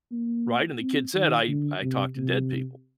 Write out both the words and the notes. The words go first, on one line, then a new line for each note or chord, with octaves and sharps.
Right, and the kid said, "I I talk to dead people."
A#3
C4
D#3
D3
C3
C3